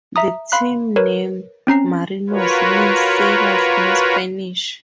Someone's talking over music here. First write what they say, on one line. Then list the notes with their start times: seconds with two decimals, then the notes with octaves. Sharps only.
The team name "Marinos" means "sailors" in Spanish.
0.16 E5 A#5 D#6
0.52 F5 B5 C6 F#6
0.96 A#4 B4 C#5
1.67 C4 C#4 A#5 C7
2.30 F4 F#4 A#4 B4 C#5